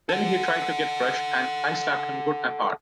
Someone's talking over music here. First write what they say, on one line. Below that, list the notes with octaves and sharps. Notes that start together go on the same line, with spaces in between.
Then he tried to get fresh, and I slapped him good and hard.
A4 F#5